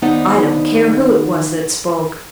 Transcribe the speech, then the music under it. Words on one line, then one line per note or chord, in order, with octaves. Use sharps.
I don't care who it was that spoke.
D#2 B3 D#4 C5 D5 F#5